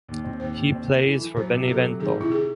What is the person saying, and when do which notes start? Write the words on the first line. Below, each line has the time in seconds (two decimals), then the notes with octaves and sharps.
He plays for Benevento.
0.09 D#2
0.24 C4
0.40 D#2 C5
0.57 D#2
0.72 C4
0.88 A3
1.04 E3
1.20 E3
1.36 F#3 C5
1.52 C3
1.68 F#3 A4
1.84 C3
2.00 D#3 G#4
2.16 C3 E4
2.32 G#4